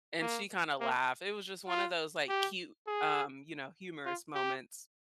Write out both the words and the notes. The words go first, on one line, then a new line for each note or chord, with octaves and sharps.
And she kinda laughed. It was just one of those, like, cute, um, you know, humorous moments.
A#3
A#3
F4
G4
G#4
F4
G4